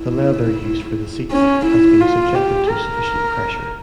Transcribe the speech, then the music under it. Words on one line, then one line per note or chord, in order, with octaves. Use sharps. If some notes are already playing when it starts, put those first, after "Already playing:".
The leather used for the seats has been subjected to sufficient pressure.
Already playing: E4
C#4
E4
F4
G4
A#4